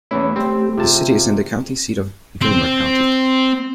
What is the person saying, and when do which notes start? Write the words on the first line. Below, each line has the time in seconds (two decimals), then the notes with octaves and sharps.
The city is the county seat of Gilmer County.
0.11 E2 E3 A3 C#4 E4 C#5
0.36 A3 C4 G4
0.78 C3 F4 G#4 A5
2.42 C4